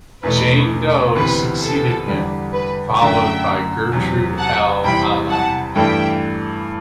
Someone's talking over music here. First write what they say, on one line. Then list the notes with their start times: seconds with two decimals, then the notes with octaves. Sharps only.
Janet Doe succeeded him, followed by Gertrude L. Annan.
0.23 E2 B2 A3 B4
1.15 D2 C3 E3 B3 B4
1.62 A4
2.08 E2 D3 G3
2.53 B4
2.99 F#2 D3 A3 E5 G5
3.92 E2 C3 F#3
4.37 F#5 A5
4.84 E2 C3 G3 C4 E4 G5 B5
5.30 F#5 A5
5.76 G2 E3 A3 D4 A4 E5 G5